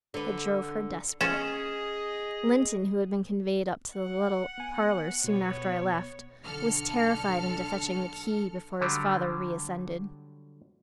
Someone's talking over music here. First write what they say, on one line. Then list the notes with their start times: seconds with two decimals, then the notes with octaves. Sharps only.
It drove her desperate. Linton who had been conveyed up to the little parlour soon after I left, was terrified into fetching the key before his father re-ascended.
0.14 D3 B4
1.21 C#4 G#4 D#5 E7
3.95 F#5
4.58 B3 G#5
5.24 B2 B3 C#5
6.43 B1 D3 A4 F6 C#7
8.81 D3 F#3 G3